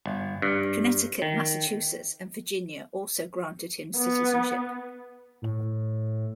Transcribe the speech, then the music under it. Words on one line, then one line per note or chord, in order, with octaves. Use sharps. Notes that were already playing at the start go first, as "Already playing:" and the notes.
Connecticut, Massachusetts, and Virginia also granted him citizenship.
G1
G2
D#3
B3
A2